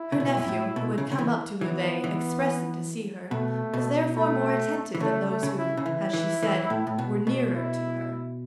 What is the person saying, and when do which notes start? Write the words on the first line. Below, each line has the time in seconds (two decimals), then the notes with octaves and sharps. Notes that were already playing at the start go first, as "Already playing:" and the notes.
Her nephew, who had come up to Vevey expressly to see her, was therefore more attentive than those who, as she said, were nearer to her.
Already playing: E4
0.12 C#3
0.20 B2
0.37 F#2
0.48 A2
0.76 B2
0.98 C#3
1.12 C#3
1.19 E3
1.61 E3 B3
2.04 E3
3.31 B2 A3
3.74 B2
4.16 A3
4.95 E3
5.00 C#3 A3
5.29 A3
5.43 C#3
5.58 E4
5.77 C#3
5.86 E3 E4
6.13 E3
6.43 E3
6.70 A2
6.87 A2
6.98 B2
7.27 B2
7.56 E4